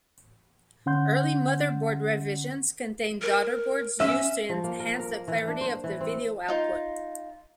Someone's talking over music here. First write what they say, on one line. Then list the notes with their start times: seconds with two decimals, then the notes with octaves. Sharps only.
Early motherboard revisions contain daughterboards, used to enhance the clarity of the video output.
0.86 D3 C#4 F#5 C6 G6
3.22 A#4
4.00 C#4 E5 E6
4.49 F3
4.64 A#3
4.80 A#4
4.99 A#4
5.12 A#3
5.28 E3
5.47 D4
5.61 C5
5.84 E3
6.01 C4
6.48 D#4 F4